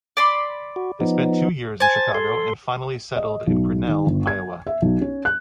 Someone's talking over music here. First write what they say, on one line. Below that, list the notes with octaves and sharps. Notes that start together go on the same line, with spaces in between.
They spent two years in Chicago and finally settled in Grinnell, Iowa.
D5 B5 C6
F#4
F3 B3 D#4
C5 G#5 A5 A6
A4 C6
D#5
B1
D#3
G1
G#6
E5
B1
C#4
F#6